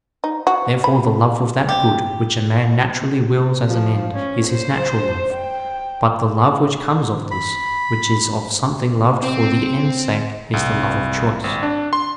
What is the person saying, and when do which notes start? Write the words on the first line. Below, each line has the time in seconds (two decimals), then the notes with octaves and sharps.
Therefore the love of that good, which a man naturally wills as an end, is his natural love; but the love which comes of this, which is of something loved for the end's sake, is the love of choice.
0.24 D#4
0.47 F#4
0.84 B5
1.69 G4
3.66 F3
4.15 C#4
4.49 C5
5.34 G5
7.31 B5
9.23 C4
10.53 C2
11.44 G#1
11.63 D4
11.93 C6